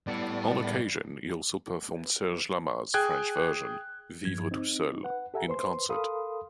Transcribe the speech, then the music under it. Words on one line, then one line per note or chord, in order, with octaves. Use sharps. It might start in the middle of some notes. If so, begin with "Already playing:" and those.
On occasion he also performed Serge Lama's French version, "Vivre tout seul", in concert.
A2 G3 B3 D5
G#4 G5 F#6 G#6
G2 F3 G#6
C4 D#4
B4 F#5
G4 A4 E5 F#5 G#5 A#5
B4 C5 C6
A4 A#4 F5 B5 C6 D#6